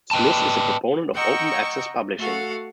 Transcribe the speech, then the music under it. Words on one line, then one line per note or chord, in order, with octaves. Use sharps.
Smith is a proponent of open access publishing.
B4 D#5 G5 A5
D#5 F#5 G5 A#5 C#6 E6
A3 F#4 A4 F5 F#5